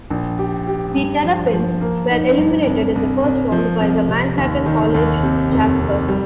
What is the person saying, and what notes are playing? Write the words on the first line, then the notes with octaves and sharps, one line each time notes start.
The Terrapins were eliminated in the first round by the Manhattan College Jaspers.
A#1
G4
G4
G2
F3
F3
A#3
D#4
G2
C2
C2
C2
F3
C2
C3
D#2
D#3
D#2
C3
F1
F1
G3